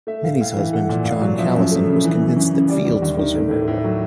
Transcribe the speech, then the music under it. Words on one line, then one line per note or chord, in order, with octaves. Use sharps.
Minnie's husband, John Callison, was convinced that Fields was her murderer.
A3 E5
A2 F5
A2 F5
E3 F5
A3 F#5
A#2
A#2 F5
F#3
F3 E5
F#2
A3
C#3
E3
F#2
F#2
C#3
G3 D5
D#2
D#2
D#3
A3
A2
A2
F#3